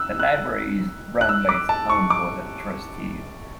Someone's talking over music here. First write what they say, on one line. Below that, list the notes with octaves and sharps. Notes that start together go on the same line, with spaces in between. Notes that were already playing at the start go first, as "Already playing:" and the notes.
The library is run by its own Board of Trustees.
Already playing: E6 F#6
F#6
F#6
E6
D6
A5
C#6
D6